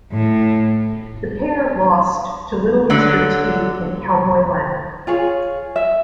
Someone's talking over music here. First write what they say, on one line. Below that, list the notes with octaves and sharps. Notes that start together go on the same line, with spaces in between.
The pair lost to Little Mr. T and Cowboy Lang.
A2
D3 F#3
F4 G#4 C#5
E5